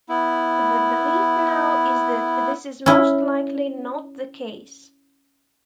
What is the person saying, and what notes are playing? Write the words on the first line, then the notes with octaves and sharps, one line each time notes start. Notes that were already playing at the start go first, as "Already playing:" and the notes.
The belief now is that this is most likely not the case.
B3 E4
C#4 E4